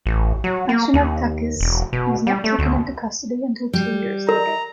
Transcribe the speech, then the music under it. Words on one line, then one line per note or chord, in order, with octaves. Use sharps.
Ashima Takis was not taken into custody until two years later.
A1
F#3
A#3
D#2
E1
B2
G3
A3
D2
G3
A#4 A#5